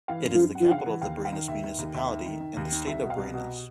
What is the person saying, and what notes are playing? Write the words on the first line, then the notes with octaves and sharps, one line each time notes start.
It is the capital of the Barinas Municipality and the State of Barinas.
E3 F5
F#2
F#2
F#2 F#5
C#3 F5
F#5
E3
D#2 F5
D#3
F5
D#3
D#2 E5
D#3
D#2
D#2 E5
D#3
D#3
D#3
D#2
D#3
C2 E5
B2
F5
C2
B2